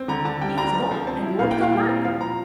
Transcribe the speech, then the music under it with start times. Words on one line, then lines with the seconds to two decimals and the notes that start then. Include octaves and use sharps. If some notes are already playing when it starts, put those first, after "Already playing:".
He has gone, and won't come back!
Already playing: C4
0.08 D3 A#5
0.25 D3 A5
0.41 G3 G5
0.57 D4 A#5
0.74 F3 A#5
0.91 F3
1.07 C4 A5
1.23 E4
1.39 A#2 F5
1.51 E4 G5
1.62 F5
1.72 G3
1.89 C4
2.05 F3 F5
2.21 F3 A#5